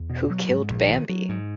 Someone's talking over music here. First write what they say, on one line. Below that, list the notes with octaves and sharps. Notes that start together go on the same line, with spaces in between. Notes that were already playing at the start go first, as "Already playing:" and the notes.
Who killed Bambi?
Already playing: E2
B2
F#3
G#2
A#1
D#3
F#3
G#2